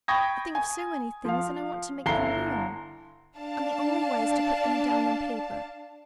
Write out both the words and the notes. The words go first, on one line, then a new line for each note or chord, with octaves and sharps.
I think of so many things, and I want to make them real, and the only way is to put them down on paper.
G5 B5 C#6 D#6 G#6 A#6
G#5
F3 F5
G1 E4 A#5 C7 G7
D4 F5 A5